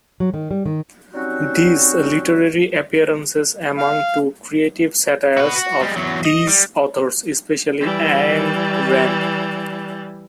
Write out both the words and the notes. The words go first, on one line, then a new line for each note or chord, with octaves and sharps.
These literary appearances amount to creative satires of these authors, especially Ayn Rand.
F#3
D#3
G3
D#3
F#3 G3 C4 C#4 D#4 F#4
F5
F#4 B4
F#4
G3 G#3
E2 F#3
D#5
G3
E3 G3